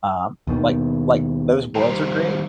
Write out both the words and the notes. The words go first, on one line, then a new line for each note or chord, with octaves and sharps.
Um, like like, those worlds are great,
D#2 B2 D#3
D#3 G3 C5 A#5